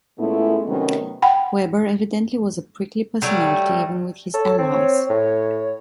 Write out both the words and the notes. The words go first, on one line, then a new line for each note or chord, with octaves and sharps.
Weber evidently was a prickly personality even with his allies.
A#2 G#3 A3 B3 C#4 E4
C3 D#3 F#3 A3 B3 C#4
F#5 G5 B5
F#3 G3 A3
A4 C#5
C4
C#5
A2